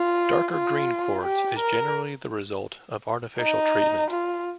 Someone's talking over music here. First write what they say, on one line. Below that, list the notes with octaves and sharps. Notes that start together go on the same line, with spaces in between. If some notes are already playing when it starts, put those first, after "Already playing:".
Darker green quartz is generally the result of artificial treatment.
Already playing: F4
F4
G4
A#4
D#4
F4